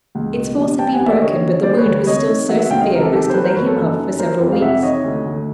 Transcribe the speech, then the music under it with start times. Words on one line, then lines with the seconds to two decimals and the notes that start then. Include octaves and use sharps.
Its force had been broken, but the wound was still so severe as to lay him up for several weeks.
0.15 C#2
0.36 B2
0.57 G3
0.79 D#2 G5 A5
0.93 F#5 G#5
1.00 D#2
1.06 D5 E5
1.21 D3 C#5 D#5
1.42 F#3
1.63 G3 C5 D5
1.73 C5
1.77 B4 C#5
1.85 D2
2.07 C3 C#5 D#5
2.27 D#3
2.49 F#3 E5 F#5
2.60 E5 F#5
2.70 C#2 F5 G5
2.81 D#5 F5
2.92 C3 A#4
3.01 G4 A4
3.12 D#3 G4 A4
3.23 G4 A4
3.30 C5
3.33 F#3 A4 B4
3.44 A#4 C5
3.55 F#1 B4 C#5
3.66 A4 B4
3.76 F#2
3.98 D#3
4.18 F#3 A#4 C5
4.41 F2
4.52 F5
4.61 C3 E5 F#5
4.82 D#3 C#5 D#5
5.04 D2
5.25 D2